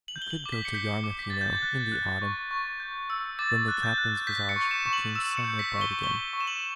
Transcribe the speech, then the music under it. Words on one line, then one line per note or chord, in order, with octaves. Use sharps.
"We could go to Yarmouth, you know, in the autumn." Then the Captain's visage became somewhat bright again.
F#7
G6
G7
F#7
D6
B6
C#7
G6 B6
D6
B6
D6 A6
G6
A6
F#6
F#6
C#6
C#6
G6
E6
D6 A6
F#6
G6
F#6
G6 B6
C#7
C#6
E7
C#6
F#7
E6 E7
C#7
G6
B6
C#6
G7
C#6 G7
C#6
E7
F#7